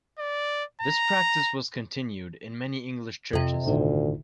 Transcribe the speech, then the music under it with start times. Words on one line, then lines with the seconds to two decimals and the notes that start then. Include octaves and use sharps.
This practice was continued in many English churches.
0.19 D5
0.82 A#5
3.33 F2 C3
3.66 G1 D2 A2 D3 D#3 D#4 F4